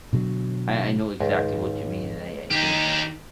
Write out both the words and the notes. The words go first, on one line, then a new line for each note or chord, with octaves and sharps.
I I know exactly what you mean, and I I think
B2 D3 F#3
C#2 G#2 D#3
D#3 D#4 G4